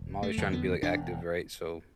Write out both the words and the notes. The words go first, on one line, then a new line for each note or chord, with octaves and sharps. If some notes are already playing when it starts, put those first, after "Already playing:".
I'm always trying to be, like, active, right? So
Already playing: E1
A3
E2 D3
B3
E1 D4